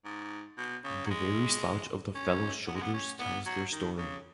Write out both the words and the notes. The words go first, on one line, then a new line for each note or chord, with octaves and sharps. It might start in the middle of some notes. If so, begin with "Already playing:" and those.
The very slouch of the fellows' shoulders tells their story.
G#2
B2
C#3
F#3
G#3
C#4
B3
G#3
B3
C#4
B3
F#3
D#3
C#3